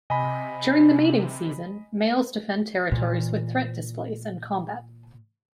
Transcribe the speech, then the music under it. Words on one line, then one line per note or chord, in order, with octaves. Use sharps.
During the mating season, males defend territories with threat displays and combat.
C3 D#5 G#5 B5
A#2 E3